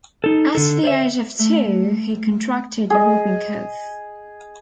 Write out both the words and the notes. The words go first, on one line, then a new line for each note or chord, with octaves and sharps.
At the age of two, he contracted whooping cough.
D#4 A4
D3 A4
C5 D5 E5
A3
G#4 D#5